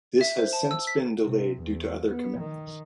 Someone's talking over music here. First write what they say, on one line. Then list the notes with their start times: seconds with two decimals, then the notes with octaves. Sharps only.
This has since been delayed due to other commitments.
0.21 E5
0.39 C5
0.53 A5
0.71 E6
0.87 B6
1.24 C3
1.63 E2
2.11 B3
2.40 D#3